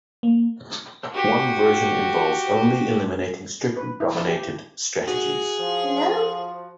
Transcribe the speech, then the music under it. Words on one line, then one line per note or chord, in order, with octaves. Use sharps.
One version involves only eliminating strictly dominated strategies.
A#3
F#4 G4
B4
E4
A5
G4
F#4 G#4
F3